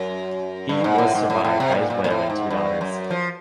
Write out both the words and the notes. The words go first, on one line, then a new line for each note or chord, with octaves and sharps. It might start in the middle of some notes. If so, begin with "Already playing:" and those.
He was survived by his widow and two daughters.
Already playing: F#2
G2
G#2
A2
G#2
A2
A2
C3
A#2
A#2
A#2
A2
G#2
G2
F#2
F3